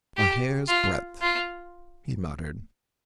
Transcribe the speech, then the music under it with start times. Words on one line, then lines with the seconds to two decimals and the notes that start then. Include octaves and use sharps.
"A hair's-breadth," he muttered.
0.17 G4
0.69 F4
1.21 F4